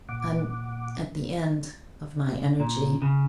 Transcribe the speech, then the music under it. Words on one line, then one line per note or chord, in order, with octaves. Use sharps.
I'm at the end of my energy.
A#2 F#5 D6
A#2
C#3